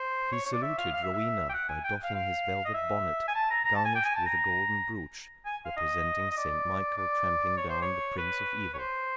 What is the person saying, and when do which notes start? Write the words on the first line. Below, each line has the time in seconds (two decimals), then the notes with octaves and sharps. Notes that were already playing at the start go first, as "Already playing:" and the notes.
He saluted Rowena by doffing his velvet bonnet, garnished with a golden broach, representing St Michael trampling down the Prince of Evil.
Already playing: C5
0.32 C#5
0.46 C#5
0.53 D5
0.62 E5
0.78 F5
0.93 F5
1.03 E5
1.14 E5
1.49 G5
1.53 F#5
1.69 G#5
1.84 G5
2.03 F5
2.14 F5
2.65 D#5
2.74 E5
3.28 G#5
3.35 A5
3.50 A#5
3.64 A#5
3.75 A5
3.85 G#5
3.95 G5
4.05 G#5
4.15 A5
4.26 A#5
5.46 G#5
5.65 F5
5.77 D#5
6.30 D#5
6.37 D5
6.97 D5
7.57 C#5
7.69 C5
7.82 C#5
8.18 B4
8.74 C#5
8.78 C5